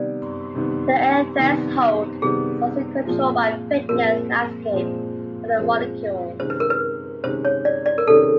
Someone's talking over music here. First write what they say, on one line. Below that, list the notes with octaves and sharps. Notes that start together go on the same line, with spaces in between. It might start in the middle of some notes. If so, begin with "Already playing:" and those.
The error threshold is also controlled by the fitness landscape for the molecules.
Already playing: C3 D#3 G3 B3 D5
C3 D#3 G3 B3
C3 D#3 G3 B3
C3 D#3 G3 B3 G#4
A#2 F3 G#3 C4 F4
A#2 F3 G#3 C4 F4 A#4
A#2 F3 G#3 C4 F4
A#2 F3 G#3 C4 F4
C3 D#3 G#3 C#4 C5
B4
A#4
B4
C3 D#3 G#3 C#4 C5
C#5
D5
D5
A#4
C3 D#3 G#3 C#4 A4